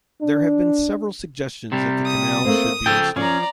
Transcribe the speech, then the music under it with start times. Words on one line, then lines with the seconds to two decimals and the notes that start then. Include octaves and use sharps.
There have been several suggestions that the canal should be restored.
0.21 D4
1.72 C3 G3
2.06 D#6
2.45 A3 A#3 C4
2.86 C#3 F3 A4 G5
3.16 F3 C#4 D5 A#5